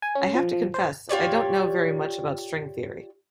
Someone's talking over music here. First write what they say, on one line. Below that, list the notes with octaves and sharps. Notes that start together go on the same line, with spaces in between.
I have to confess I don't know very much about string theory.
G#5
C#4
F3
F3
C5
F4 G4 C#5 D5